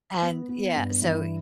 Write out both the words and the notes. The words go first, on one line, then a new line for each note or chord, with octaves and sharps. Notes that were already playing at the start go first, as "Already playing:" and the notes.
And yeah, so
B3
B3
G2
E3